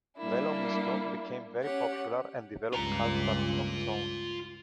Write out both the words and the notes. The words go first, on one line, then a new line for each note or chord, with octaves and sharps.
"Velo misto" became very popular and developed cult status of its own.
G3 A#3 D4 E4
C#4 G4 C#5 F#5
C#2 G2 F4 A#5